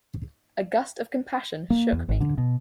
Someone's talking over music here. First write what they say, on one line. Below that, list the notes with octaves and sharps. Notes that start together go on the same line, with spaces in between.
A gust of compassion shook me.
A#3
E2
G#1
D3
B2